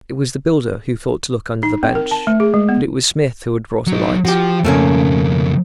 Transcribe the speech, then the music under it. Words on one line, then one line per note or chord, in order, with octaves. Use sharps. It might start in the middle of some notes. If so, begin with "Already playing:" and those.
It was the builder who thought to look under the bench, but it was Smith who had brought a light.
D#4
C4
A#4
A5
A3
G#4
G#3
B3
F#3 D#4
F3 F#4 G4
F2 C#3 A3 A#3 C#4